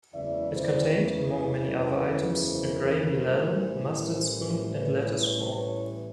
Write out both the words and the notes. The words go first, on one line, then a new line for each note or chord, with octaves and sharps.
It contained, among many other items, a gravy ladle, mustard spoon and lettuce fork.
F#1 E2 C#3 E3 G#3 D5 E5
C5 D5
B4 C#5
B4 C#5
A#4 C5
A1 A2 E3 G3
A#4 C5
B4 C#5
B4 C#5